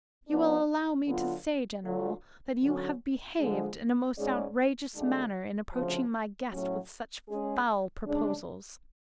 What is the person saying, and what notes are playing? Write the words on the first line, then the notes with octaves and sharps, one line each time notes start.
You will allow me to say, general, that you have behaved in a most outrageous manner in approaching my guest with such foul proposals.
F3 B3 D4
D3 F#3 B3 F4
D2 D3 F#3 A3 F4
D3 F#3 C#4 F#4
D3 F3 G#3
G#2 G#3 C#4 G#4 D5
D2 D3 G#3 D4
D2 C#3 F3
A2 F#3 C#4 F#4
G#3 C#4 G#4
C#3 G#3 D4